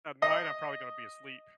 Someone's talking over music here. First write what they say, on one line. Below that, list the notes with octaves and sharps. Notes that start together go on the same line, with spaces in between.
at night, I'm probably gonna be asleep.
D#5